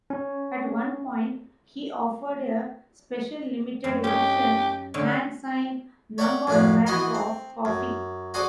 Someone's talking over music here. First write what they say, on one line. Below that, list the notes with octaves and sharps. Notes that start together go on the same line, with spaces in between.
At one point, he offered a Special Limited Edition hand-signed numbered bag of coffee.
C#4
F#2 C#4
C#4 D#4 G4
D3 G#3 C#4
C#5 D5 E5 F#5 G5 A5
F#2 A2 F3 A3 D4
E3 B3 F#4 D#5 G#5 C6
C4
F#2
F#4 G#4 A4 C5 D5 G#5